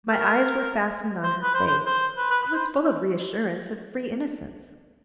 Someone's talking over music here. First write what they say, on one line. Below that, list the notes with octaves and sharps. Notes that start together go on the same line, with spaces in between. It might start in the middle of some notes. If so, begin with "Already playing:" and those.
My eyes were fastened on her face: it was full of reassurance, of free innocence.
A#4
C5
B4
C5
C5
C5
B4
B4
B4
C5